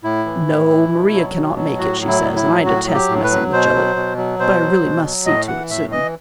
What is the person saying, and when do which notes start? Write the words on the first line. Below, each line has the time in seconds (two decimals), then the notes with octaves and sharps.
"No. Maria cannot make it, she says, and I detest messing with jelly. But I really must see to it soon."
0.04 A2 E4
0.26 E3
0.48 A2
0.69 E3
0.92 B2
1.13 F#3
1.34 B2
1.56 F#3
1.78 A2 F#4
2.01 F#3
2.07 E4
2.22 A2
2.36 E4
2.44 F#3
2.65 A2 F#4
2.87 F#3
2.94 G4
3.09 A2
3.24 B4
3.31 F#3
3.53 B2 C5
3.74 F#3
3.96 B2
4.17 F#3
4.39 B2 C5
4.61 F#3
4.82 B2
5.05 F#3
5.26 A2 D#5
5.48 E3 F#5
5.70 A2 E5
5.92 E3 D#5